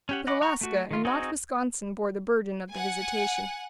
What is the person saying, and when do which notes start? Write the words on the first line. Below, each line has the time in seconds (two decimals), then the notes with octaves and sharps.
But Alaska and not Wisconsin bore the burden of the visitation.
0.09 C#4 G4 F#5
0.27 D#5 F#5 B5 D6
0.41 F#5 A#5 C#6
0.61 A3 F#4
0.91 D#3 F4
1.05 C4 D#4 F#4 G#4
2.71 F#5 G#5